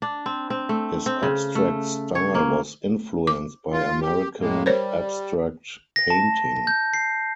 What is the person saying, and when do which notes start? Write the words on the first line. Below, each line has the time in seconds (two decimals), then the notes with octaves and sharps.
His abstract style was influenced by American abstract painting.
0.02 D4
0.26 C4
0.50 C4
0.69 A3
1.06 C4
1.23 C#3
1.55 A3
2.15 C#5
2.35 A#3
3.27 D6
3.72 F4
4.01 G4
4.39 A2 G#3 A#3
4.66 G3 A#4 C5 C#5
5.96 A#6
6.10 A5
6.67 G6
6.94 C7